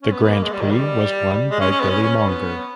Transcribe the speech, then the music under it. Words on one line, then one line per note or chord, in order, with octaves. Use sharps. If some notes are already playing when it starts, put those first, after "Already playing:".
The Grand Prix was won by Billy Monger.
C#4
B3
B3
A#3
G#3
G3
D#3
G3
G#3
C#4
C#4
B3
C#4
C#4
C#4
B3